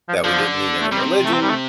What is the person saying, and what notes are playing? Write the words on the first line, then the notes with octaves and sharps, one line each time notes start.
that we didn't need any religion,
F3
D3 F3
A3
C3 G3
A3
C4
G3
A3